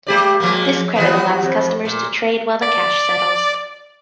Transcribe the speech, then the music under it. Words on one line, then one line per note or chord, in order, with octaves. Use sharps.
This credit allows customers to trade while the cash settles.
G#3 G4 D5
F3 G#3 A#3
E3 G3 B3
F2
A#2
D5